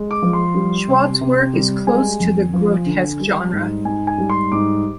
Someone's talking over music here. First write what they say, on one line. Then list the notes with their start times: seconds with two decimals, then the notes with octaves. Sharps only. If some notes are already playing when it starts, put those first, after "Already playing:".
Schwab's work is close to the grotesque genre.
Already playing: G#3
0.11 D6
0.22 F3
0.33 C6
0.55 G3
0.88 C3
1.21 C3
1.54 G3
1.87 G#3 G#5
2.20 F2
2.53 F3
2.86 D3
3.20 G3
3.53 G#2
3.85 G#2 G#5
4.07 G#5
4.18 G3
4.30 C6
4.52 G#2 D6